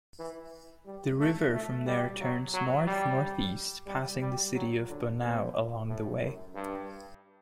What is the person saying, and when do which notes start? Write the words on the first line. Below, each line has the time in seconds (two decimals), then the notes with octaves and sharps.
The river from there turns north-northeast passing the city of Bonao along the way.
0.19 E3
0.86 G3
1.20 A3
1.53 A3
1.86 G3
2.20 F#3
2.54 F#3
2.87 G3
3.87 G3
4.21 G3
4.54 F#3
4.88 D3
5.21 B2
5.88 A2
6.22 F#2
6.55 G2